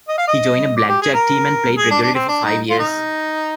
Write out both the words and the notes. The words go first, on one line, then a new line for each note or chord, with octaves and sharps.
He joined a blackjack team and played regularly for five years.
D#5
F5
D#5
D5
G4
G#4
A#4
G#4
D4
D4
C4
D4
D#4
F4
D#4